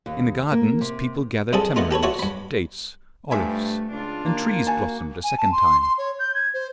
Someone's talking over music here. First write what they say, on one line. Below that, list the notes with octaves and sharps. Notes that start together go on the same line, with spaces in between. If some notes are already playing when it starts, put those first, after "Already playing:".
In the gardens people gathered tamarinds, dates, olives; and trees blossomed a second time.
D#2
A#3
C3
C2 C3 G3 G#4 A4 D#6
A3 B3 D#4 F4
G4 A4 B4 C#5
F4 F#4 C#5 D5 E5 F#5
G2 B5
G2 F3 A3 E5 G#5
C#2 D4 F4
D#2 A#3
F#4 G#5 A5
G#5
A5
C6
C6
C#5
G6
G#6
C5